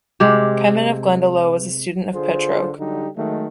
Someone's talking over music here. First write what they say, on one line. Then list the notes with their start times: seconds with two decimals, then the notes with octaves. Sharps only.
Kevin of Glendalough was a student of Petroc.
0.20 C3 G#3 G4
2.14 D3 F4 G#4 C5
2.78 D3 F#3 G3 D#4 G4
3.16 D#3 F#3 G#3 A3